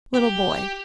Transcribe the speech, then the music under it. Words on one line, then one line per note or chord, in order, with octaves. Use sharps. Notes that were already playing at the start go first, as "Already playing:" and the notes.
Little boy.
G4